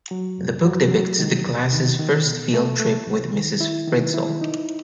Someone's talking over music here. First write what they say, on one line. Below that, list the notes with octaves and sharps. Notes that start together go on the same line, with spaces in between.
The book depicts the class's first field trip with Ms. Frizzle.
F#3
F#2
F#3
F#3
D#3
D#2
D#3
D#3
B2
A3
A3
C2
D#3
E4
D#3
E4
D#4